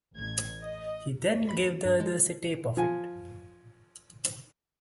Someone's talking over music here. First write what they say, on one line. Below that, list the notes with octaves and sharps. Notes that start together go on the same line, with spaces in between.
He then gave the others a tape of it.
A1 G#6
D#5
B5
G2
G#3
F3 G#5